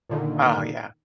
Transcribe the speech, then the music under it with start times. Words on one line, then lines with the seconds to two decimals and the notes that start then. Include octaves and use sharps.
Oh, yeah.
0.10 A#2 D3 D#3